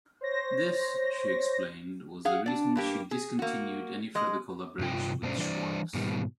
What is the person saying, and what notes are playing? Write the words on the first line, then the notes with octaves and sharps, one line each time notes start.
This, she explained, was the reason she discontinued any further collaboration with Schwarz.
C5 C#5 A#6
G#4 F5 F#5
D4 D5
G2 A#3 G4
G#4
A#3 F#4
G#3 D#5
G2 C3 F4 G5
G2 B2 G#3 C#4 C5 D5
E3 G3 D4 C5 D5
G#2 B2 D#3 G3